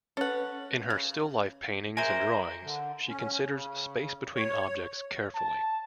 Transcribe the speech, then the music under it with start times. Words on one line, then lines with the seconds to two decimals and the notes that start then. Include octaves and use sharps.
In her still life paintings and drawings, she considers space between objects carefully.
0.17 C#4 A4 B4 F#5
0.90 C#3
1.97 G#3 A#4 C5 E5 G#5
2.64 D3
3.08 C#4
3.49 C#3
4.35 C#5
5.35 A5